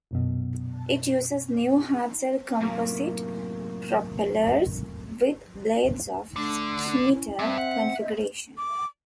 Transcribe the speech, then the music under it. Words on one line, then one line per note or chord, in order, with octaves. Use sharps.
It uses new Hartzell composite propellers, with blades of scimitar configuration.
A#1 F#2 B2
F#2 A2 C3 A#3
D3 A3 D4
C#4 E4
G2 C4 E5
F#5
D#5
D6